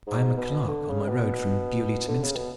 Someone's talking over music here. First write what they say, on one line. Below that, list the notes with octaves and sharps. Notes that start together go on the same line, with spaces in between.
"I am a clerk on my road from Beaulieu to Minstead."
G#2
B2
D3
C#3
B2
D3
C#3
B2